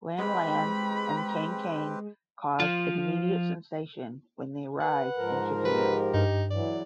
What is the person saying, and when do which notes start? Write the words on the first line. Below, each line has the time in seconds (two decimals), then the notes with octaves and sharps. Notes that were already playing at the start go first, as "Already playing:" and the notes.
Lan Lan and Kang Kang caused an immediate sensation when they arrived in Japan.
0.19 G#3 C4 G4 B4 B5
2.60 F3 F4
4.81 B4 F#5
5.16 G#2 F3 A#4
5.65 G4 B4
6.14 G2 D#4
6.51 E2 E3 F#3 D5